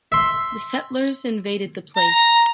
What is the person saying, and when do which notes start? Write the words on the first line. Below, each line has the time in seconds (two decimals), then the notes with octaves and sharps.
The settlers invaded the place.
0.12 E5 C6
1.97 A#5